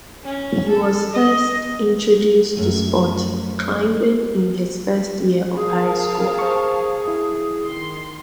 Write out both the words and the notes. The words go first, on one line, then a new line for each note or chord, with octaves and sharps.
He was first introduced to sport climbing in his first year of high school.
C#4
A4
D#5
F#2 A3
G#4 A#4 F5 A5
C5 C#6
E4
D#3 C6